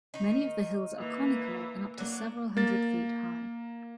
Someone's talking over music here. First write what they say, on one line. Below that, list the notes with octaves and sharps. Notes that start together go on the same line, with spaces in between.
Many of the hills are conical and up to several hundred feet high.
D#3 D#4
E3 A#3
F#3 A#3 D4
A#3 A6